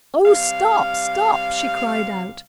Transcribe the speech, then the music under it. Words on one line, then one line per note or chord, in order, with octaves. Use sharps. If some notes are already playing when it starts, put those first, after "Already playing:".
"Oh, stop, stop!" she cried out.
C3 G3 F5